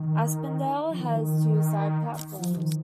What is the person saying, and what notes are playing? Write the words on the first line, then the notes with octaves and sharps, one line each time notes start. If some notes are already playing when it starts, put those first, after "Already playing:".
Aspendale has two side platforms.
Already playing: D#3
F3
D#3
F3
D#3